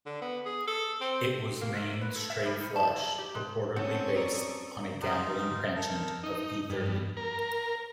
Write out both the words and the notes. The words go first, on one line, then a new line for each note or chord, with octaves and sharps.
It was named "Straight Flush", purportedly based on a gambling penchant of Eatherly.
D3
B3
G#4
A4
C4
A#3
C3
B4
A4
E5
G3
D#4
A5
C3
A#5
G4
G#3
C4 C#4 A4 F#5 A5 C#6 D#6
D5 A#5
G3 D#4 F4
A4 A#4
D#4
G2
A#4